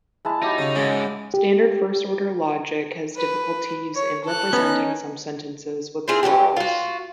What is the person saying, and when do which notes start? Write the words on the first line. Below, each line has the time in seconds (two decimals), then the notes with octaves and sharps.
Standard first order logic has difficulties in representing some sentences with plurals.
0.25 G#3 E4 A5
0.42 F#3 D#4 E4 G4
0.59 C#3 C#6
0.76 G#2 C#3 G#3
1.34 G4
3.16 B4
3.95 C#5
4.24 A4 F#6
4.53 B3 C#4 D#4
6.08 C4 E4 F4 G#4
6.23 F#3 A#3 C#4 G4
6.56 F4 F#4